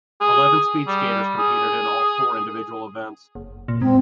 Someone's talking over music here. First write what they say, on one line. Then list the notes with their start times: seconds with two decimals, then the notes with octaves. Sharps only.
Eleven speed skaters competed in all four individual events.
0.21 G#4
0.87 G3
1.38 G#4
3.35 F#1
3.68 A#2
3.82 G#2 C4